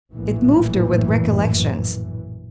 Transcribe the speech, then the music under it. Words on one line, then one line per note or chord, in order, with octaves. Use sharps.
It moved her with recollections.
A#1 F#2 A2 E3